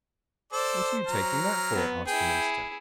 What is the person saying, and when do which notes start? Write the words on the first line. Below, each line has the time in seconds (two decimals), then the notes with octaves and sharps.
'What are you taking that for?' asked the minister.
0.53 A4 C5 D5
1.07 F#3 A#5 F6
1.73 B3
2.07 E4 G#4 G5